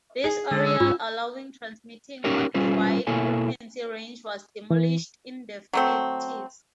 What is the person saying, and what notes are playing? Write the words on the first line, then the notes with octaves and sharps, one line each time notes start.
This aerial allowing transmitting on a wide frequency range was demolished in the Fifties.
G#4
D3 G#3 A4
E6
G#2 C#4 F4
C#4 D#4 G4 A#4 C#5
G3 C#4 F4 B4 C5
B2 A#3 E4 A4 C#5 G#5
E3
F#3 A3 C4